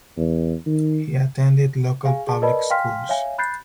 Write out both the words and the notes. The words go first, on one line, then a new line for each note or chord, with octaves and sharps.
He attended local public schools.
E2
D#3
G#4 F5 G#5
G#4 A5
A#4 B4 D5 D#5 A5 B5
F5 G5 G#5 C6 F6 B6
C#5 E5 F5 G#5
B5 F#6 G6 A6 C7